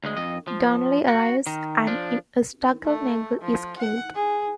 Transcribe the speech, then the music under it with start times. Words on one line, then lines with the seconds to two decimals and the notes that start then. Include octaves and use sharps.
Donnelly arrives and In a struggle Nagel is killed.
0.04 D2 G#3
0.17 F2 D#5
0.47 F3
1.08 F#4
1.47 D#3
1.87 F3 D4
2.84 A3
3.42 F3
3.78 F#5
4.15 G#4